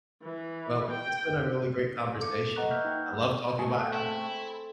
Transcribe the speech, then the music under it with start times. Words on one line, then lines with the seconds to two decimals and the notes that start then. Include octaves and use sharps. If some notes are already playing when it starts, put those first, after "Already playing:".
Well, it's been a really great conversation. I love talking about animals,
0.23 E3
0.91 G5
2.09 A#3 F5
2.20 A4 D6 C#7
2.56 B4 D#5 F#5 A#5 C#6 F#6
2.70 A#3 B4 E5 F6 G6 B6
2.85 D#4 B4 G5 F#6
3.59 A3 G#4 G#5 A5
3.94 C4 E4 A4